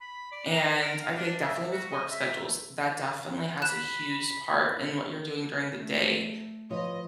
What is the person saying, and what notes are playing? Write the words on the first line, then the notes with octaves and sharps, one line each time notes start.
and I feel like definitely with work schedules, that definitely has a huge part in what you're doing during the day,
B5
D5
A#5
A#4
F5
D4
E5
F#4
D#5
E5
B5 F#6 E7
A3
F3 F4 B4 C#5 D#5